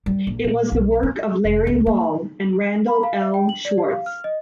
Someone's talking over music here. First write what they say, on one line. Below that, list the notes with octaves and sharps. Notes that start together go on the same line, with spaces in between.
It was the work of Larry Wall and Randal L. Schwartz.
G3
A#1
A#2
B1
C#4
F1
C#2
A#3
B5
F5
E5
G5
F#7
D5
G4
F5
F6
D#5